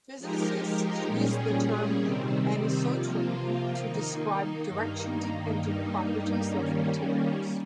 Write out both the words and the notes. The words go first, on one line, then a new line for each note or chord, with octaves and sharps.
Physicists use the term anisotropy to describe direction-dependent properties of materials.
F3 G#3 D#4 G4 A#4
A#2 G3 C#4 G#4
C3 D#3 G3 C4
C3 F3 A#3 F4
D#3 A#3 D#4
G2 D#3 A#3 D#4
G2 G3 A#3 D#4
D#3 G3 A#3 C#4